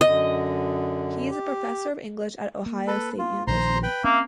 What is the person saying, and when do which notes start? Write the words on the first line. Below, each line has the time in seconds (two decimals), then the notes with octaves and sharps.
He is professor of English at Idaho State University.
0.01 F#2 D3 D#5
1.30 G4
2.66 A#3
2.87 A4 B4
3.19 F4
3.47 A#1 D#3 F3 C5 A#5 C6
3.83 B4 G5 B5
4.04 A#3 C4 C#4 E5